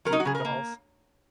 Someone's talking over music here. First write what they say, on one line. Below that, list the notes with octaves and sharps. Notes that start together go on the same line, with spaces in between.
Goo Goo dolls.
F#3 A#4
D#4
F#4
C#3 G#4
A#4
A#3